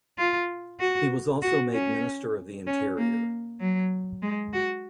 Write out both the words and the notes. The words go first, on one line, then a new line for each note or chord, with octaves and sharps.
He was also made Minister of the Interior.
F4
F#4
F#4
C#4
C#4
A#3
F#3
G#3
F#4